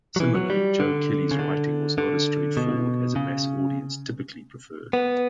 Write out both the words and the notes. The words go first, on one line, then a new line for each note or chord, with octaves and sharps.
Similarly, Joe Kelly's writing was not as straightforward as a mass audience typically preferred.
F#3
E3
F#3
G3
D3
C#3
D3
D3
B2
C#3
B3